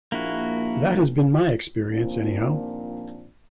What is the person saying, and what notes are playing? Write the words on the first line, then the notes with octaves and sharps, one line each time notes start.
That has been my experience anyhow.
A#1 A#3 E4 F#4
D#2 A#2 F3 A#3 C4 D4